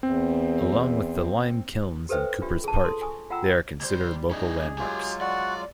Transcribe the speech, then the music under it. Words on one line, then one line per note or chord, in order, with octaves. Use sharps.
Along with the lime kilns in Coopers Park, they are considered local landmarks.
E2 C4
G4 A4 B4 C5 E5 G5
D4 F4 G4 E5
G#4 A5
A4 C6
G#5 C#6 D#6
F4 E5 F#5 G5 A#5 E6
C#2 G3 C5
C#4 D#4 G#4
F#3 G#3 F4 G4 G#5
F#4 D5 F#5